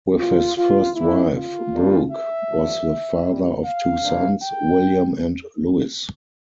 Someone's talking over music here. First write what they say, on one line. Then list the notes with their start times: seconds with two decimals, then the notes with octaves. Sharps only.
With his first wife, Brooke was the father of two sons, William and Louis.
0.18 C2 A#2 F3 F4
0.56 F4
0.94 E2 E3 G3 A#3 E4
1.33 F4
1.71 G1 G2 E3 G3 A#3
2.09 E5
2.48 A1 G2 D3 F3 A3
3.25 A#1 A#2 G3
3.63 F5
4.02 C2 C3 E3 A#3 D4
4.40 G5